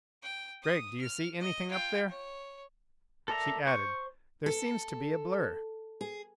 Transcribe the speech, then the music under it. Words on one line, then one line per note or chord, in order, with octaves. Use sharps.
"Gregg, do you see anything up there?" She added, "There seems to be a blur."
G5
D#6
F6
D#5
F4 G5
C#5
A4 A#4 D5 E5 A#5
C5 C#6
A4
G#4